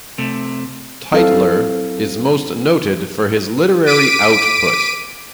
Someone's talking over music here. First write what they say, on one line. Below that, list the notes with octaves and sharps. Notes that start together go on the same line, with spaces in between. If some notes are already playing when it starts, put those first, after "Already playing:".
Tytler is most noted for his literary output.
C3 A3
F#3 C4 E4 A4 F5
D6 B6 D7 D#7